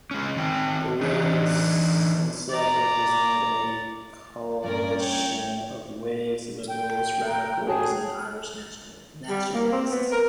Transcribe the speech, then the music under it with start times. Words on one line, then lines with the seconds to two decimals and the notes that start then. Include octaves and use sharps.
The Whigs themselves represented a coalition of Whigs, Liberals, Radicals, and Irish nationalists.
0.11 G#3 C#4
0.37 D#3 C4 G5
1.01 E3 D4 D#4
2.50 D5 A#5
4.64 G2 C#4 A#4 D5
4.99 C#5 G5
6.68 G5
7.28 A#5
7.67 F#4 G#4 C#5 A5
9.29 G3
9.53 A#3
9.71 C4
9.91 B3
10.11 A#4